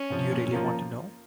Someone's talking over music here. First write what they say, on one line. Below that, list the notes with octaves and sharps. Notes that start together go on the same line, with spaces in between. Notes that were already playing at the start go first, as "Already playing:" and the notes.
Do you really want to know?
Already playing: C#4
C3 F3
A#2
F3 A#3 F4 A#4